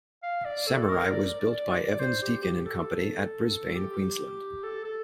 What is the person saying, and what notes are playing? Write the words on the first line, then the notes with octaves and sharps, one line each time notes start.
"Samarai" was built by Evans Deakin and Company at Brisbane, Queensland.
F5
D5
A4
A4
A#4
D5
D5
D5
C5
G4
G4
A4
G4
A4
A4